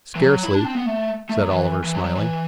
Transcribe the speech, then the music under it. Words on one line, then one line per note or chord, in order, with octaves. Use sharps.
"Scarcely," said Oliver, smiling.
E3
F#3
E4
D4
C4
B3
A3
A3
F#3
E3
E3
F#3
F#3
E3